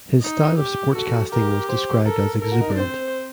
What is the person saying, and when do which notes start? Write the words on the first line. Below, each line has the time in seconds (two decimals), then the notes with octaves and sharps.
His style of sportscasting was described as exuberant.
0.22 D#4
0.59 G4
0.95 F#4 A4
1.32 G4 A#4
1.50 A#4
1.69 C5
2.05 A4 A#4
2.42 A4 A#4
2.52 F#4
2.61 D#4
2.70 D4
2.79 C4 C5